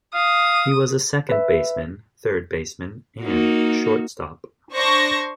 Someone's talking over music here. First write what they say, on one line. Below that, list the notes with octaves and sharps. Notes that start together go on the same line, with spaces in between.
He was a second baseman, third baseman and shortstop.
F5 D#6
B4 E5
A#3 D#4 F#4
D4 C5 C#6 A#6